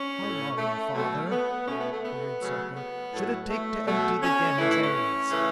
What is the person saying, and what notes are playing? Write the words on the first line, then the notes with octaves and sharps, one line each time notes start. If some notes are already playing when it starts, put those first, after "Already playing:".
"How long, father," queried Sarka, "should it take to empty the Gens areas?"
Already playing: C#4
A2 A3
A3
B2 F#3 A3
B3
B2 A3 C#4
B3
A3
B3
C#3 F#3 A3
B3
A2 F#3 A3
A3
B2 F#3 A3
C#4
A2 E3 A3 E4
E4
C#4
C#3 E3 A3